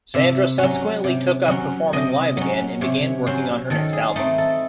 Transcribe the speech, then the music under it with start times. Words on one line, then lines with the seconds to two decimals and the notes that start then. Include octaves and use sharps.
Sandra subsequently took up performing live again and began working on her next album.
0.14 C3 E5
0.58 F#3 C#4
1.04 C3
1.48 F#3 C#4
1.93 C3 D#5
2.37 F#3 C#4
2.81 C3 C#5
3.27 F#3 C#4 C5
3.70 D#3 A4
3.93 G#4
4.16 A3 C4 D#4
4.38 A4